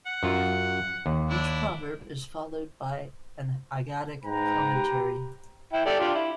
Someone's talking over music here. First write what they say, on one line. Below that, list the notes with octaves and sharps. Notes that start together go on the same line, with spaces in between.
Each proverb is followed by an Haggadic commentary.
F#5
F#2 F4
D#2
D4 E4
G#2 B4 G5 A#5
G4
E4 G5
G4 A4 D5
D4 F4 G4
E4